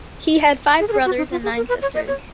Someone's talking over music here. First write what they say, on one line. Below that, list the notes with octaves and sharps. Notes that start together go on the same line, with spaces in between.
He had five brothers and nine sisters.
G#4
A#4
G#4
F#4
D#4
F4
G#4
A#4
B4
C#5
D#5
C#5